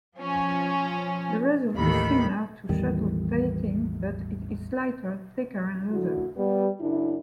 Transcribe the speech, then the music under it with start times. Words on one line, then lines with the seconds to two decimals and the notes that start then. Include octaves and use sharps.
The result is similar to shuttle tatting but is slightly thicker and looser.
0.17 F3 C#4
1.75 A1 D#2 A2 D#3 B5
2.69 A1 E2 D#3 G3
5.92 F#2 D3 A3 E4 F#4
6.37 G3 B3
6.80 F#2 C#3 D4 E4